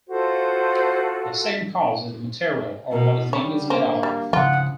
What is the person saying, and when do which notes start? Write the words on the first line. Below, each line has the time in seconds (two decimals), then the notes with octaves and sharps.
The second cause is the material, or what a thing is made out of.
0.09 F4 F#4 A4 C5
2.92 B2 A#4
3.33 D3 G3 C#5
3.70 A#3 A#4 C5
4.03 G3
4.33 C#3 F3 F4 F#5